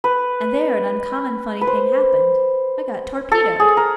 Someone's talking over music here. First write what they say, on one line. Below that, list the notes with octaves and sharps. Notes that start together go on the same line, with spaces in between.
And there an uncommon funny thing happened--I got torpedoed.
B4
B4
C5
A4
G#4
A#4